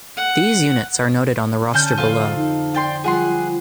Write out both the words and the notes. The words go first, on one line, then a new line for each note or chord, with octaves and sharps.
These units are noted on the roster below.
F#5
D3 C#4 A5 G6
F2 F4 A4 F5
D#4
D5 G5 C6
F3 G3 F4 G#4 F#5 B5 C6